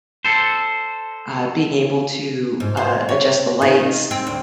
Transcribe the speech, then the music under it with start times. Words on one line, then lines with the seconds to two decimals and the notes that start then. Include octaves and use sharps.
uh, being able to, uh, adjust the lights
0.25 A4 C5
2.60 G#2
2.77 C5
3.09 C#5
3.62 D#3
4.11 C4
4.27 D2